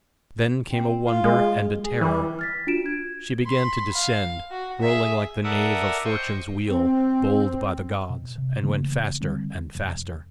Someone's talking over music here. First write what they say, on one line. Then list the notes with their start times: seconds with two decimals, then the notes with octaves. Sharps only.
Then came a wonder and a terror: she began to descend rolling like the nave of Fortune's wheel bowled by the gods, and went faster and faster.
0.71 C4
1.06 F4
1.24 G#3
1.84 G#4
2.01 E3 G3
2.39 F6 A6 B6
2.67 D4 F4 F#4 D7 E7
2.86 G#6
3.46 B5 C6
3.94 F5
4.51 F#4
4.81 G#4 E5
5.44 A4 A#4 D5 E5 F#5 D#6
6.04 C5 D#5 G5 C#6
6.68 C4
8.10 B2
8.38 C3
8.63 C#3 E3 A3 A#3
9.21 D3 E3 G3 C4
9.75 F1